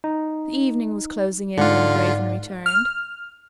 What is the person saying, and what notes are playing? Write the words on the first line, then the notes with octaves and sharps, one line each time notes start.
The evening was closing in when the Raven returned.
D#4
G#2 D3 F4 D5 F#5
F6